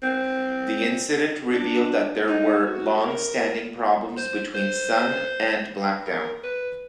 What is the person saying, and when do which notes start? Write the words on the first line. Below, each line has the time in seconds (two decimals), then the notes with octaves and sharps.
The incident revealed that there were long standing problems between Sun and Blackdown.
0.03 C4
1.54 D4
2.28 D#4
2.67 F#4
2.95 A4
3.05 A#4
4.17 C5
4.55 C5
6.06 A#4
6.44 B4